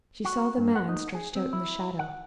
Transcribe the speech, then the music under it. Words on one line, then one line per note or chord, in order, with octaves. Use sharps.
She saw the man stretched out in the shadow.
F#4
G2
F#5
D#4
G#4
C4
E4
F#5